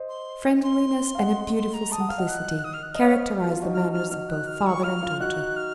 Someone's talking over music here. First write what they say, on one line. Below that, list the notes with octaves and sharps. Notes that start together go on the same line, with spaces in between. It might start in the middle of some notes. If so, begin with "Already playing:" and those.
Friendliness and a beautiful simplicity characterized the manners of both father and daughter.
Already playing: C5 D#5
C6
C6
F5
D#5 F#5
C6
A#5
A5 D#6
F#5
F5 F6
D#5 F#5
F#6
D#6
F6
F#6
D#5 F6
C#5 F5
C5 D#5
F#4
F4
D#4 F#4
F6
F6
D#4 F#4 F6
F#6
F6
C#6
F4 F6
F4
D#4 F#4 F#6
F6